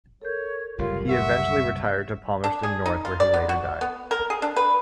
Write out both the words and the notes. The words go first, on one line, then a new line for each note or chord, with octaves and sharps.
He eventually retired to Palmerston North where he later died.
A4 A#4 C#5 G6
F#1 C2 A2 F4 G4 A#4 C#5
E5 F#5 C#6
D4
G#4
D#4
F4
D5
B3
F#4
B3
A#4
G#4
D4
B4